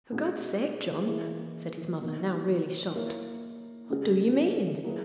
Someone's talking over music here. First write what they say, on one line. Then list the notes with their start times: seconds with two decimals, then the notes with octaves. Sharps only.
'For God's sake, John!' said his mother, now really shocked, 'what do you mean?
0.12 B2 G#3 C#4 F#4
1.06 E3 A#3 E4 G#4
2.01 B2 A#3 D#4 F#4
2.95 A#3 E4 A#4 C#5
3.89 C#3 G#3 C#4 G#4
4.84 F#3 A#3 E4 G#4 B4